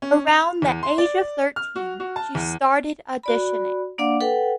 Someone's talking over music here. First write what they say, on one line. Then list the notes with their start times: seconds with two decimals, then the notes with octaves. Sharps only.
Around the age of thirteen she started auditioning.
0.02 C#4
0.27 F7
0.62 E2
0.83 C6
0.98 D5
1.56 F6
1.76 F#4
2.00 F#4
2.16 A5
2.35 E2
3.23 F#4 D5 B5
3.98 A#3 D4 D5 F5 F#5 D6
4.21 A4 B4 F#5 G5